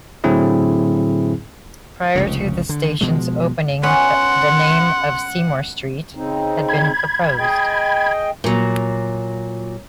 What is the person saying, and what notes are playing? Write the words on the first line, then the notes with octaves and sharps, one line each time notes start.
Prior to the station's opening, the name of "Seymour Street" had been proposed.
A2 D3 F#3 C4 E4 G#4
F1 C#2 C#3
D3
B2 F3 G#3
B3 C#4 F#5 B5 C6
C#3 C4 D#4
B5 G#6
G#4 D#5 G5
A#2 F#3